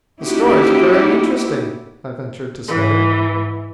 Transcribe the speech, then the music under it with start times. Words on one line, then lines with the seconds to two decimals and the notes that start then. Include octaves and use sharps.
"The stories are very interesting," I ventured to say.
0.22 A#3 C#4 D#4 E4 F#4 G4
2.68 G#2 E3